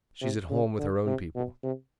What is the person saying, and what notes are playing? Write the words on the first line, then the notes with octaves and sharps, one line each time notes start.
"She is at home with her own people."
C3
C#3
D3
C3
B2
C3